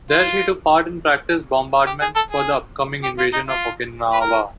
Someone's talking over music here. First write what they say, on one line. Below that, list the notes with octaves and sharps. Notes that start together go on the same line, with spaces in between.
There she took part in practice bombardments for the upcoming invasion of Okinawa.
F4
G4
G#4
A4
G#4
G4
F4
D#4
F4
B4
A#4